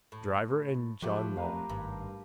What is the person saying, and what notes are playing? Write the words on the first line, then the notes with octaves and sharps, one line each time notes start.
Driver in John Long's.
A2
F3 F#3 A3 G4 B4
F2 A#4 B4 F5
G#1 G2